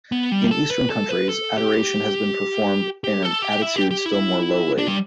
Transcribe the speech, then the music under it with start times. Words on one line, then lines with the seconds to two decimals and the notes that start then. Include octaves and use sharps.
In Eastern countries, adoration has been performed in an attitude still more lowly.
0.12 B3
0.32 G3
0.51 A4
0.71 B4
0.90 A4
1.09 B4
1.29 A4
1.58 G4
3.04 G4
3.23 A4
3.42 G4
3.62 E4
3.76 G4
3.91 G4
4.06 E4
4.78 D4
4.88 G3